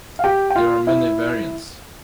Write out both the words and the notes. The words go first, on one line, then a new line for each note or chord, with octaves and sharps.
There are many variants.
F5
G4 G5
G5
F4 F5
E4 E5